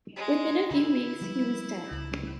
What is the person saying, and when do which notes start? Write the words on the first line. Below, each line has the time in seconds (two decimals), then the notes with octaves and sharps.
Within a few weeks, he was dead.
0.17 G#3
0.71 D3 E4
1.22 F3 G3 G#3
1.92 C#2